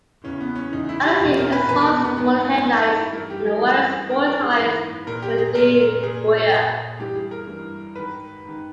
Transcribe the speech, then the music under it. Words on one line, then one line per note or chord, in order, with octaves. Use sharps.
Under-seat exhausts, dual headlights and the widest sport tyres were de-rigueur.
E2 C#3 E3 C#4
B3
C#4
E2 C#3 E3 D#4
E4
G4
E2 B2 G4
A#4
B4
E2 B2 B4
A#4
B3
B3
G#2 D#3 B3
G#2 D#3 D#4
D#4
E4
G2 E3 A#4
G4
G4
G2 E3 G#4
G#2 E3 A#4
A#4
G#4
G#2 E3 B4
A#2 A#4
G4
G#4
A#2 A#4
A#2 G#4
A#2
G2 E3 G4
G#4
A#4
G2 E3
G#2 D#3 B4
G#2 D#3